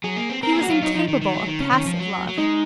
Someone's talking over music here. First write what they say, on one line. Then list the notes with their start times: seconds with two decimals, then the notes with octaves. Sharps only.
He was incapable of passive love.
0.04 F#3 G#4
0.17 A#3
0.30 C4
0.43 C4 A#4
0.53 A#3 G#4
0.62 F#4
0.69 F#3 F4
0.82 F#3 D#4
0.95 F3 D#4
1.08 D#3
1.21 D#3
1.33 F#3
1.46 D#3
1.60 C#3 C#4
1.72 D#3
1.86 F3
1.99 F#3
2.28 F#3
2.38 G#3 D#4